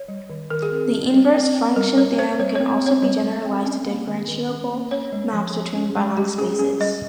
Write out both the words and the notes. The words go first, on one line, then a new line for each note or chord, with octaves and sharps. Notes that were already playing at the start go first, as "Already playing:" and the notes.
The inverse function theorem can also be generalized to differentiable maps between Banach spaces.
Already playing: C#5
G3
D#3
D#3 A#4
G#4
C4 A#4
G3
G3
C4
C4
G3 A#4
G3 C#5
C4 C5
G3 C#5
C4 C#5
C4 C#5
G3 C#5
G3
C4
C#4
A#3
D#3
D#3
C#4
A#3
C#4 C#5
G#3
F3
F3
C#4
G#3
G3 G4
C#4 G#4
C#4 G#4
G3 D#5